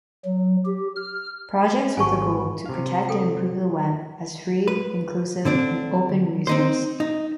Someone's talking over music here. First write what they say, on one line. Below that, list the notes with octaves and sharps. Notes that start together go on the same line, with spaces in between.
Projects with the goal to protect and improve the web, as free, inclusive and open resource.
F#3
G4
F6
G#1 G#4 F#5 G#5 A5 C#6
C3 F5
A4 G5
B4
D3 C4 D4
C4 D#4 C5
D#4